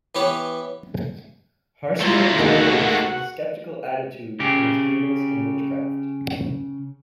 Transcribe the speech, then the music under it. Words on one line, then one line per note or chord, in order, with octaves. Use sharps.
Harsnett is noted for his sceptical attitude towards demons and witchcraft.
E3 B3 G4 C#5
F#3 A3 A#3 E4 F4
D#2 F#4 G#4 D#5 F#5
C#3 G4